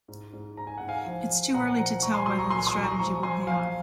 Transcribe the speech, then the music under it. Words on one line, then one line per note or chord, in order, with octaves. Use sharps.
Its too early to tell whether the strategy will pay off.
G#2
G#2
G#2 A#5
G#5
G#2 F#5
F5 G#5
F3
F3
A#2 F#5 A#5
F3 F#5 A#5
A#2 A#5 C#6
G#5 C6
F#3 C6 D#6
A#5 C#6
A#2 G#5 C6
C6 D#6
F#3
A#5 C#6
F3 A#5 C#6
F3 G#5 C6
F3 F5 G#5